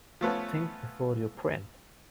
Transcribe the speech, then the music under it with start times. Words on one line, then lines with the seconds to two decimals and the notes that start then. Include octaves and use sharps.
Think before you print.
0.21 F3 A3 B3 C#4